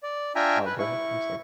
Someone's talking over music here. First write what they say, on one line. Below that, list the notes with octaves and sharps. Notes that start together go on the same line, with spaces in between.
Oh, go ahead, I'm sorry.
D5
D4 F4 E5 G5 G#5 A#5
B4
E4 C#6